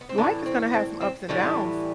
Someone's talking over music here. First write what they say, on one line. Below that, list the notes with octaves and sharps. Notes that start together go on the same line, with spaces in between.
w life is gonna have some ups and downs."
B3
C4
A2 E3 G3 B3 D4
C4
C4
C4
A2 E3 G3 B3 D4